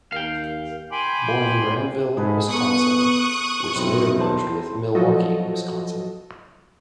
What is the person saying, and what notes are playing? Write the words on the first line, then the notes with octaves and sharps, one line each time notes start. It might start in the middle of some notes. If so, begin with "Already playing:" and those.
Born in Granville, Wisconsin which later merged with Milwaukee, Wisconsin.
D#2 A#4 F5 G5
G5 G#5 B5 C6 D6
G#2 G#4 A4 B4
B3 C#6 D#6 F#6
B1 C4 E4 A#4
A#4 C5 A5
F3 F#3 F#4 A4 D#5